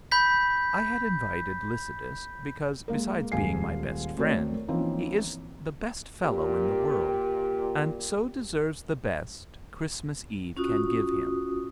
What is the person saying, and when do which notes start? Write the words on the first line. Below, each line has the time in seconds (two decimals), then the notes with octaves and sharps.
I had invited Lycidas, because, besides being my best friend, he is the best fellow in the world, and so deserves the best Christmas eve can give him.
0.12 B5 G6 B6
2.88 G#3 A#3 A#4
3.32 D#1 G#3 F5 G#5 C7
4.17 A3 C4 F#4 A#4 C#5 D5
4.68 E3 F3 A#3 C4 C#4 D#4
6.23 A#2 G4
10.57 C#4 F4 F#4 D#6